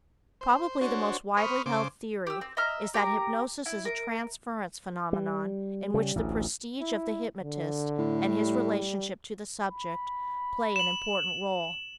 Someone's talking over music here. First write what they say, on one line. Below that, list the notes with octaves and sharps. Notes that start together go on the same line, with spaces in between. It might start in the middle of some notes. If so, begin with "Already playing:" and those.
Probably the most widely held theory is that hypnosis is a transference phenomenon in which the prestige of the hypnotist and his relationship to the subject plays an important role.
C5
D4 F#4 C5 C#5
C5 B5 C#6 D#6 F6
C#3 C5 D6
G4 E6
C4
D#5 E5 A#5 F6
G4 A#4 A#5
E4
A#4
G3
C#3 G3
A1 D2
E4
D3
A2
G3
B5
E7 F#7